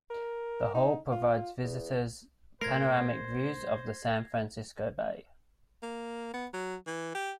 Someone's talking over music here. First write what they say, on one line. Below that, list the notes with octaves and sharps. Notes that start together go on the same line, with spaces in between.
The Hall provides visitors panoramic views of the San Francisco Bay.
A#4
D#4
F4
E2
A#2 A3 A#4 C5 G#6 A#6 C7
A#3
B3
F#3
E3
G4